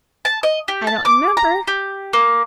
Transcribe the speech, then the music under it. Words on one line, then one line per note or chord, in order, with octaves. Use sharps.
"I don't remember."
A5
D#5
G4
A5
D6
A#5
G4
A#3